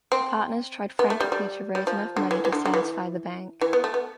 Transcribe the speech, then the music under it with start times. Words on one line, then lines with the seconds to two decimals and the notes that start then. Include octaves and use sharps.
The partners tried frantically to raise enough money to satisfy the bank.
0.12 C4
0.99 B3
1.10 A3
1.20 G3
1.32 G3
1.75 G3
1.87 F3
2.16 D3
2.31 E3
2.45 E3
2.52 D3
2.65 D3
2.74 E3
3.61 E3
3.73 B3
3.84 A3
3.94 B3